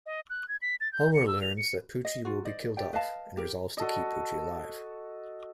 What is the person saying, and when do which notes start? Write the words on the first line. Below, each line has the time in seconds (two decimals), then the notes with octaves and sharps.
Homer learns that Poochie will be killed off, and resolves to keep Poochie alive.
0.06 D#5
0.30 F#6
0.48 G#6
0.62 B6
0.81 A6
0.93 G6
1.14 C#7
1.27 E6
1.42 F7
1.58 C#7
2.05 D#5
2.25 F4 F#4
2.45 C5 D5 D#5
2.77 G4 D5 G5
2.93 B4 D#5 F5 A5
3.37 G4 A#4
3.77 F#4 A4 D#5